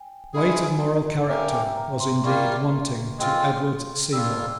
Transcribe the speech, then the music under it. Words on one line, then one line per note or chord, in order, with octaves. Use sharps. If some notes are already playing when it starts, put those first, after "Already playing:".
Weight of moral character was indeed wanting to Edward Seymour.
Already playing: G5 G#5
G#3 C#4 E4 G#4
A#3 C#4 G4 A#4 E5
G5
A#5
C6
G3 A#3 F4 C#6
G#3 C4 F4
G3 A#3 F4 E6